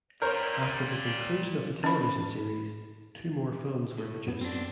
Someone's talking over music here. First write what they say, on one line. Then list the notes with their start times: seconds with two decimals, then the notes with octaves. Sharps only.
After the conclusion of the television series, two more films were produced.
0.22 A#2 G3 A#4 C5 C#5
1.84 C#4 B5
3.98 A2
4.27 F#2 B3
4.41 C4 D4